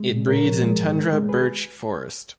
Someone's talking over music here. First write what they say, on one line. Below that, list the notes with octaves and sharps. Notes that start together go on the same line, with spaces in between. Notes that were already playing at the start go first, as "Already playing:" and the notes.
It breeds in tundra birch forest.
Already playing: G#3
A#2
A#2 A#4 C#5
F3
G#3
G#2
D#3
G#3
G#4 B4